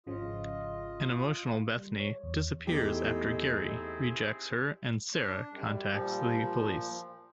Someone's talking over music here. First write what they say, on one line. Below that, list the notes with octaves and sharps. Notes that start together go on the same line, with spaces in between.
An emotional Bethany disappears after Gary rejects her and Sarah contacts the police.
G#1 C#3 F3 F4 D#5
G3
C#5
E2
E2 A3 C4 D#4 E4 G4 G#4
D4
F#2 G3
A#2 F3